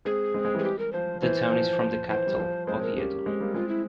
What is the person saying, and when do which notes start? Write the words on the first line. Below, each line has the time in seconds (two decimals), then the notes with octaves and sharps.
The town is from the capital, Oviedo.
0.05 G#3 C4 G#4
0.34 G#3 C4
0.45 G#3 C4
0.54 E3 G3 G#4
0.64 G4
0.79 A#4
0.93 F3 C5
1.22 E3 C5
1.51 F3
1.80 F3
2.09 E3 C5
2.27 G3
2.39 F3
2.67 G#3 C4 C5
2.82 A#4
2.97 A#3 C#4 G4
3.26 G#3 C4
3.40 G3 A#3
3.55 G#3 C4 F4
3.69 E4